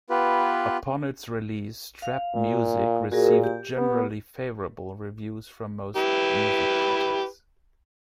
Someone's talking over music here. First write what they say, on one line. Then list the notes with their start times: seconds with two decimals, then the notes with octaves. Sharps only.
Upon its release, "Trap Muzik" received generally favorable reviews from most music critics.
0.10 B3 F4 G4 B4
2.02 F5
2.34 A#2
3.12 A#2 F#4 G#4 A#4
3.44 G4
3.77 B3
5.96 E4 G4 B4